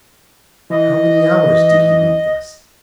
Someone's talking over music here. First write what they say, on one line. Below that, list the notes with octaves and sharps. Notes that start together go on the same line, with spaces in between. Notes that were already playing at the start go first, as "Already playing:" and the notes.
How many hours did he weep thus?
E3 D#5